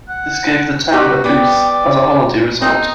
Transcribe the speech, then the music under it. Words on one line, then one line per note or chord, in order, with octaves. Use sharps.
This gave the town a boost as a holiday resort.
F#5
D#4 F#4 G4 B4
B3 D5 G5
C4 D#4